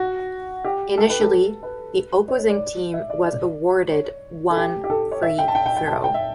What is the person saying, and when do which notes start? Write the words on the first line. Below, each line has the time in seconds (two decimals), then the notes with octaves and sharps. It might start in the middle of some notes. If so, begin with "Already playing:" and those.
Initially, the opposing team was awarded one free throw.
Already playing: F#4
0.65 G4
0.98 A4
1.09 B4
1.21 A4
1.63 B4
2.28 C#5
2.39 C#5
2.50 D5
2.94 E5
3.10 D5
3.26 D5
3.91 C#5
4.50 A4
4.57 G4
4.84 G4
4.90 A4
5.12 C#5
5.22 E5
5.39 G5
5.48 A5
5.55 G5
5.66 G5
5.77 G5
5.87 A5
6.04 G5
6.14 E5